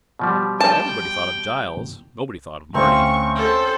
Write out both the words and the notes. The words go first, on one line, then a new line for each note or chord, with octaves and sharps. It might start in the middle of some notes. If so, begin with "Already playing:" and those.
Everybody thought of Giles; nobody thought of Marty.
B2 F3 G3
G5 A5
D2 C4 C#4 F5 C#6
A4 C5